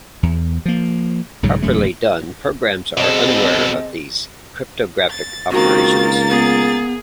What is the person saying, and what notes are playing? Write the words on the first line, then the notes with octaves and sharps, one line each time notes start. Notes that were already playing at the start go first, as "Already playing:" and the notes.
Properly done, programs are unaware of these cryptographic operations.
E2
F3 A#3
B1 G#2 C#3 F#3
E1 F#2 A2 A3
B2 C4 G#4 A4 D#5 A5
A6
C#2 D#3 A#3 C4 F#4 A6
B3 G#4